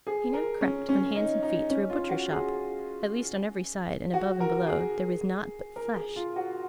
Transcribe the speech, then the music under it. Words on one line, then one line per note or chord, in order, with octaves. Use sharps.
He now crept on hands and feet through a butcher's shop; at least on every side, and above and below, there was nought but flesh.
G#4
A#4
C#4
C#4
D#4
D#4
C#4
F4
F#4
G#4
F#4
A#4
G#4
A#4
G#4
F4
F#4